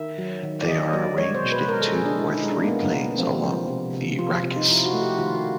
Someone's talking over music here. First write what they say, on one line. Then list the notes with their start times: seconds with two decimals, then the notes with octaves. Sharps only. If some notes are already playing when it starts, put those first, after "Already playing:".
They are arranged in two or three planes along the rachis.
Already playing: D#3 E5
0.18 F#3
0.43 D#3
0.62 D5
0.68 D#3 D#5
0.93 F#3 D5
1.18 G#3 C#5
1.35 C5
1.43 B2
1.52 B4
1.68 G#3 A#4
1.81 A4
1.93 G#3 G#4
2.05 D4
2.18 G#3 E4
2.35 D#4
2.44 G#3
2.52 D4
2.64 A#3
2.68 G#3 B3
2.94 B2
3.18 F3 C4
3.43 F3
3.68 C3
3.93 C3
4.18 F3 F4
4.43 C3 F4
4.57 D#4
4.68 F3 E4
4.85 F#4
4.93 A3
5.02 G4
5.18 D#3 F4
5.35 F#4